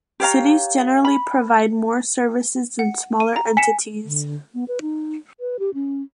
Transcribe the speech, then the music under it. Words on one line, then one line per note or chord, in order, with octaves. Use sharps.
Cities generally provide more services than smaller entities.
G4 C#5 F5 A#5
B5
F#5
D#7
A#5
G#5 B6 C#7 E7
D3
B3
B4
D#4
B4
G4
C#4